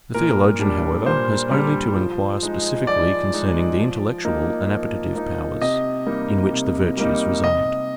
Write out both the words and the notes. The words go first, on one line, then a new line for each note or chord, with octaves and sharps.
The theologian, however, has only to inquire specifically concerning the intellectual and appetitive powers, in which the virtues reside.
A#2 A#4
G3 D4
A#2 C5
G3 D4
F3
G#3 D#4
F3 D5
G#3 D#4
F3
A#3 D#4
F3
A#3 D#4
C3 D#5
G3 A#3 D#4
C3
G3 A#3 D#4
C3 D#5